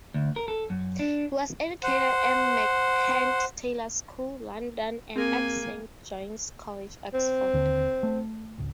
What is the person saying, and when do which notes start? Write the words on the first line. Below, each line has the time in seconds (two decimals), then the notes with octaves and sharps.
He was educated at Merchant Taylors' School, London and at Saint John's College, Oxford.
0.14 D2
0.36 A#4
0.48 A4
0.70 F#2
0.99 D4
1.83 C5 F#5
5.16 A#3 C4 G#4 A#4 G#5
7.14 C4
7.53 D#2 D3
8.03 A3
8.58 G#1 C#2